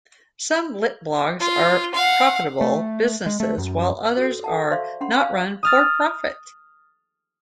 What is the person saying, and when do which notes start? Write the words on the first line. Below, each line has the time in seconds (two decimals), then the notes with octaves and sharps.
Some litblogs are profitable businesses while others are not run for profit.
1.40 F4
1.94 F5 F#5
2.61 A3
3.26 G#3
3.40 A3
3.58 F#2
4.17 F#4 A4
4.44 A4 F#5 A5
4.71 C5 D5 E5 F5 C6 C#6
5.01 C#4 F#5 B5 C6
5.21 D5 F5 G#5 C#6
5.63 D#6 F6 A6